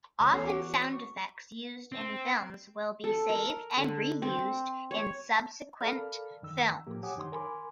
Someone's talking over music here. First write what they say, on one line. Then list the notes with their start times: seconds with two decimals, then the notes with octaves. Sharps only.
Often, sound effects used in films will be saved and reused in subsequent films.
0.20 D2 F#3
0.32 E2 F#3 C#4 A4 C7
0.45 F#4 D6
0.93 C#6
1.92 C4
3.04 A4
3.30 A#4
3.77 D3
4.22 C4
4.91 C#5
5.81 A4 A#4 D5 F5 B5 F6
6.42 F#2 D#3 E6
6.87 A2 F3 A#3 G4
7.03 G4 C#5 F#5 G#5 D6 D#6
7.16 F#2 D#3 D#4 C#5 C6
7.32 A#4 G#5 B5 C6 D6